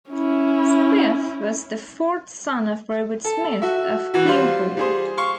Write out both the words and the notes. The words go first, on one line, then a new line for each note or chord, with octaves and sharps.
Smyth was the fourth son of Robert Smyth of Peel Hall.
C#4 E4
A4
F#4 E5
E3 F#4
G3 F4 C5
G3 G#4 C5
F5 C6 C#6